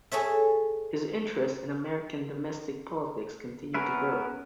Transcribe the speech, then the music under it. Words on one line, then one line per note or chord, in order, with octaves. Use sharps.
His interest in American domestic politics continued to grow.
G#4 A4 C#5 E5
B3 C#4 A#4 B4 E5